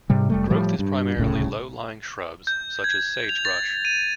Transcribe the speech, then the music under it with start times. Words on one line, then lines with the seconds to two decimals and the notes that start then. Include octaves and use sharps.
Growth is primarily low-lying shrubs, such as sagebrush.
0.10 G#2 C3 G3
0.29 F1 G3 A3
0.50 A2 F3 G3
0.79 G2
1.17 D1 C2 A2 C#3
2.47 G6
2.84 G#6
3.29 F7
3.45 A6
3.85 D#7